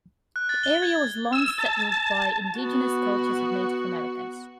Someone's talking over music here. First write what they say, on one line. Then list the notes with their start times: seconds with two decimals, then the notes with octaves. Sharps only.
The area was long settled by indigenous cultures of Native Americans.
0.36 F#6
0.49 A6
0.63 G7
0.82 G#6
1.33 E6
1.58 A5
2.56 B3 F#4